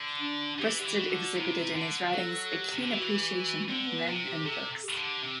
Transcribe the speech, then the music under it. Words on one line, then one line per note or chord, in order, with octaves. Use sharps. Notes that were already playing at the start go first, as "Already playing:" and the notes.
Bristed exhibited in his writings a keen appreciation of men and books.
Already playing: D3
D4
E3 G4
D3 G4
E3
F#4
D3
F#4
C3 E4
D3
F#3 A4
G4
C3
D3
E3 G4
F#4
G4
F#4
D3 C4
C4
B3
C3
G4
C3 A4
G4
D3
C3